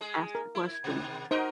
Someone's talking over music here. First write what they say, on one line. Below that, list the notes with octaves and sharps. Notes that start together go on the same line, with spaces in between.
ask the question.
G#3 G#4
A#4
E4
B2 D#3
D#4 F#4 A#4 C5 D#5